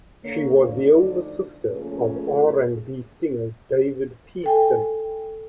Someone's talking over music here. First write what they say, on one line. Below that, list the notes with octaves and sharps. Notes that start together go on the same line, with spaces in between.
She was the older sister of R and B singer David Peaston.
D3 A#3 C#5
D2 F3 D#4 D5
A#2 C#3 F3 A3 C#4 G#4
A4 G5 G#5